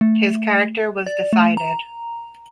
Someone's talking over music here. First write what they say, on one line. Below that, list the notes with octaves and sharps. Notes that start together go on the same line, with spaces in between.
His character was decided.
A3
D5
A3
A#5